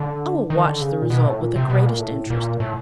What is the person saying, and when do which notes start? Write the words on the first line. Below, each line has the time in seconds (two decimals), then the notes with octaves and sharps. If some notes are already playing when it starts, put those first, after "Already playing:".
I will watch the result with the greatest interest.
Already playing: D3
0.50 D#3
0.65 D3
0.81 C#3
1.02 A#2
1.10 B2
1.26 A2
1.40 A#2
1.56 C3
1.70 B2
1.86 A#2
2.00 A2
2.30 A#2
2.60 A2